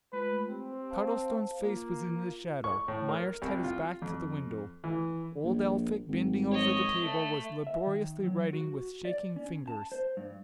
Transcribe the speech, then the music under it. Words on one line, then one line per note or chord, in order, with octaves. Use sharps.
Cardlestone's face was in the shadow; Myerst had his back to the window; old Elphick bending over the table was laboriously writing with shaking fingers.
G#3 A3 F4 B4
C4 G4 C5
C5 F5 A5
A#3 F4
C#6
A2
A#4
C2
F4
F2
E3
A#1
G#1
C#5 D#5
A3
E5
D#3
F#3
F#4
D5
C#4
A5
C5
G2